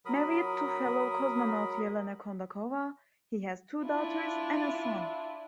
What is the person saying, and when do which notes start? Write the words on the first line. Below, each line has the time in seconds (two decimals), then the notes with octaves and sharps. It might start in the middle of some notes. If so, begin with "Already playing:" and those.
Married to fellow cosmonaut Yelena Kondakova, he has two daughters and a son.
0.05 F#3 A#4 B5 D#6
3.85 D4 E4 F4